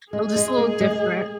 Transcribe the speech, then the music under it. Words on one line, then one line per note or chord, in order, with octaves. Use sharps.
uh, just a little different.
G#3 G#4
G#3
A#3
G#3